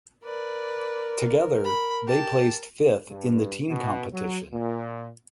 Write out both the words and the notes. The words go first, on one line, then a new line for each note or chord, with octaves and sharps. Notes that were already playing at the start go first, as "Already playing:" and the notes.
Together they placed fifth in the team competition.
A#4 B4 D5
B5
G4 A5
G2
B2
F#3
A#2